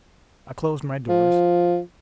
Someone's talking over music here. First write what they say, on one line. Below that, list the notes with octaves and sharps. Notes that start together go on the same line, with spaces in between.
I closed my doors.
F3